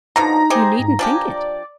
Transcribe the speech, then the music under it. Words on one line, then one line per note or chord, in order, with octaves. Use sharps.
You needn't think it.
B2 D3 F3 D#4 A#5
D#4 G4 G#4 C5
G#2
F3 D4 G4 G#5
D5